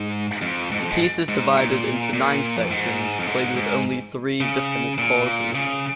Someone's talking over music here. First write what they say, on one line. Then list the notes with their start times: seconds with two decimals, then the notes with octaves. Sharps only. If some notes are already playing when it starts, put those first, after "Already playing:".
The piece is divided into nine sections played with only three definite pauses.
Already playing: G#2
0.42 F2
0.71 G#2
0.80 F2
0.90 G#2
1.28 G#2
1.57 A#2
2.13 A#2
2.57 F2
2.71 G#2
3.19 F2
3.27 G#2
3.56 G#2
4.41 C#3
4.98 A#2
5.55 C#3